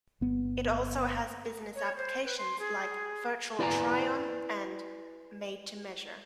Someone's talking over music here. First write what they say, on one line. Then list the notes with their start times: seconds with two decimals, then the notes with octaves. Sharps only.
It also has business applications like "virtual-try on" and "made to measure".
0.21 G1 B3
1.75 C#5
1.97 C5
2.24 B4
2.38 C6
2.59 G#4
3.59 E4 B4 D5 E5 G#5 A#5